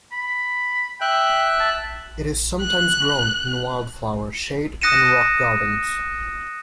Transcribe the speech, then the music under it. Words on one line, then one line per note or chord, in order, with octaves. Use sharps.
It is sometimes grown in wildflower, shade, and rock gardens.
B5
E5 G5 F#6
A5
F#6
D#6 F#6 A#6 C#7 D#7 E7